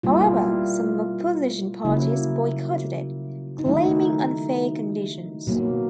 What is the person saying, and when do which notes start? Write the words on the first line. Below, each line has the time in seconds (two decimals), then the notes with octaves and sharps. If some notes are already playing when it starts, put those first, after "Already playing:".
However, some opposition parties boycotted it, claiming unfair conditions.
0.03 B2 G3 A#3 F4
0.13 E4
0.23 F4
1.84 C#3 F#3 A#3 E4
3.59 D#4
3.66 D#3 F#3 A3 E4
5.47 B2 F#3 A#3